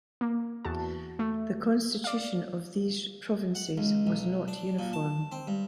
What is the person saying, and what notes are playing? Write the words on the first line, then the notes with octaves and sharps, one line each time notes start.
The constitution of these provinces was not uniform.
A#3
E2 F#4 A5
A3
D5 F5
F#5
C#2
B1
D4
A#2
A5
C4
G2